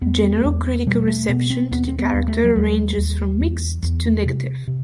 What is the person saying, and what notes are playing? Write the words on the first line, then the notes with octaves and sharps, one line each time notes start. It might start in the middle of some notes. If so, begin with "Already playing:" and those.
General critical reception to the character ranges from mixed to negative.
E2 B3
E2
B2 G3
A3
B2 B3
C4
D#2 B3
C4
B3
D#2
A3
F#3
D#2 G3
D#2
E2
E2
C3
C3